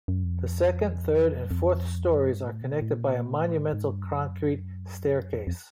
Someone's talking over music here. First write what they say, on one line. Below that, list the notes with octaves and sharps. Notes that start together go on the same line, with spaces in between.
The second, third, and fourth stories are connected by a monumental concrete staircase.
F#2
F2
F#2
F2
F#2
G2
A2
B2
A#2
A2
A#2
A2
G#2
G#2
G2
F#2
F2
F2